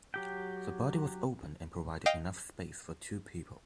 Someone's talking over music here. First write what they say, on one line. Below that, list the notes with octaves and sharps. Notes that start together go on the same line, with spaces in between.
The body was open and provided enough space for two people.
F#3 G4 G5
D#5 F5 G5 F6